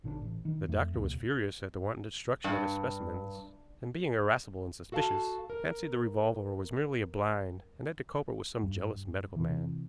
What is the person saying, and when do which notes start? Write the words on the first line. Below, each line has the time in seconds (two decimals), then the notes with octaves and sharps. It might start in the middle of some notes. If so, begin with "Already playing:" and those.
The doctor was furious at the wanton destruction of his specimens, and, being irascible and suspicious, fancied the revolver was merely a blind and that the culprit was some jealous medical man.
0.04 G#1 D3 C#4 D4
0.22 A1
0.45 D#3
0.68 F2 A3
0.94 E1 C#2 A#3
2.44 G2
4.92 F#4 A4 F5 F#5 A5
5.50 A#4
8.64 G2
9.36 C3 E3